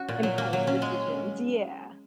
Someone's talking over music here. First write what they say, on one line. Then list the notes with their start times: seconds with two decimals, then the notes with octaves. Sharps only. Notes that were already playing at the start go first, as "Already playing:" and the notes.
impulse decisions, yeah.
Already playing: C#4 F#4
0.08 A#2
0.23 F#3
0.38 A#3
0.53 F#3
0.67 C#4
0.82 G#3